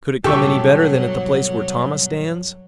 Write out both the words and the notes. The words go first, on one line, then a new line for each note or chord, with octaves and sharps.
"Could it come any better than at the place where Thomas stands?"
G2 B2 F#3 G4 A4 C#6